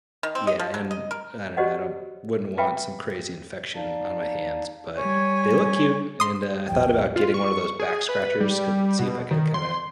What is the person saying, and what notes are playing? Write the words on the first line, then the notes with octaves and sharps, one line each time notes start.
Yeah, and I don't know, I don't wouldn't want some crazy infection on my hands, but they look cute, and, uh, I thought about getting one of those back scratchers could see if I could kinda
D#3
C4
D#5
F3
F#3
D#5
A#4
F#4 G4 C5 D5 D#5 F#5
B4 E5 F5 G5 G#5 B5
D#4 D5 F5 A5
G3 C#5 G#5
C6 D#6
A#1 E2 F3 G5
F4
C#6
G#4
B4
G3
B2
D#3
C6